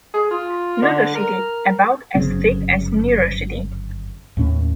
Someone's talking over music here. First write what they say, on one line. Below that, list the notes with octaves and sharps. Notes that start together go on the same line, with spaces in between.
Notochaetae about as thick as neurochaetae.
G#4
F4
D3
A#4
G1 F#2 C#3 C4
D#2 A2 C#4